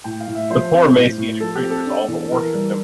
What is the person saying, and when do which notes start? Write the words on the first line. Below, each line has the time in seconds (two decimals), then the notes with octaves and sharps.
The poor emaciated creatures all but worshipped him.
0.04 A2 G5
0.20 F5
0.28 A2
0.35 E5
0.50 F3 C5
0.73 C4
0.95 A2
1.18 A2
1.40 F3 A4
1.55 G4
1.63 C4
1.70 A4
1.86 D4
2.08 E2
2.31 E3 A#4
2.54 G3